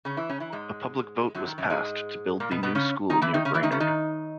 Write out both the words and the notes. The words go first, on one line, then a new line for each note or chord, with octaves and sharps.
A public vote was passed to build the new school near Brainerd.
C#3 C#4
E3 E4
C#3 C#4
E3 E4
G#2 G#3
F#2 F#3
D#3
F#2 F#3
G#2 G#3
A#2 A#3
B2 B3
B2 B3
C#3 C#4
D#3 D#4
E3 E4
D#3 D#4
C#3 C#4
E3 E4
D#3 D#4
C#3 C#4
D#3 D#4